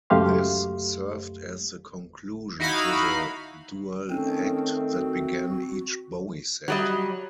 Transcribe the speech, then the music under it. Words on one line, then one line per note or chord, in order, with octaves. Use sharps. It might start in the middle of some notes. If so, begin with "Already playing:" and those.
This served as the conclusion to the dual act that began each Bowie set.
C#2 F#2 A3 G4 F5 C6
D#4 E4 F#4 D#5 F5 B5
D#3 A3 C4 C#4
F#4
F#3 G3 D#5